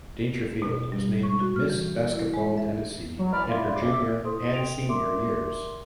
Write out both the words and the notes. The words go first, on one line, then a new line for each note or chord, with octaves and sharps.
Dangerfield was named Miss Basketball Tennessee in her junior and senior years.
B2
G3
C#6
F#4
F6
E3
E4
G#3
E5
F#3
E3 D5 B5 F6
E4 F4
F2 C#3 D6
E5
E4 A4 C5 C6 D#6
G5 D7 F7
A#4 D5 E5 C6 D6